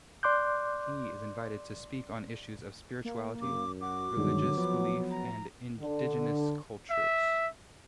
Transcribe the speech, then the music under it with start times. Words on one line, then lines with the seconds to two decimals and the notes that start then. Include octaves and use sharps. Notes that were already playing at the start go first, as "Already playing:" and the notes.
He is invited to speak on issues of spirituality, religious belief and indigenous cultures.
0.23 D5 C6 D6 F#6 G6
3.05 A#3
3.41 F#2 D6
3.81 F#4 D6
4.17 G2 D3 D#3 F#3 G#3
4.57 F3 B3
5.11 A#5
5.80 D3
6.90 E5